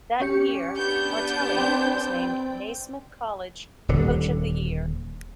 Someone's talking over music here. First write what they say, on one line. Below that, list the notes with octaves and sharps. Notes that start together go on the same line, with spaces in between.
That year, Martelli was named Naismith College Coach of the Year.
C#4 G4 C#7
B3 D4 G6
C4 D5 G5
D#1 D3